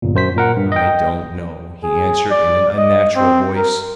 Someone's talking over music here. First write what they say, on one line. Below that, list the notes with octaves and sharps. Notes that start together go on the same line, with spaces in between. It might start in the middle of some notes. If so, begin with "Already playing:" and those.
"I don't know," he answered in an unnatural voice.
G1 A#2
F#2 C5 B6
A#2 A#4 F#5
G2
D#5 G5
G#4
D5
D#5
C4
A#4